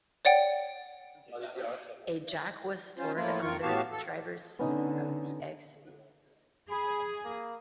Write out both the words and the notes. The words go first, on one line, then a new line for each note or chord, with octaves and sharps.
A jack was stored under the driver's seat of the xB.
C#5 D5 F#5 G5
C#4 F4 C5
A2 F3 A3 A#3 E4 F4
F2 D#3 F4 A#4 C#6
A2 B3 F#4 G4 F5 A5
A4
D3 B3 C#4 D#4
G#4 B5
A#3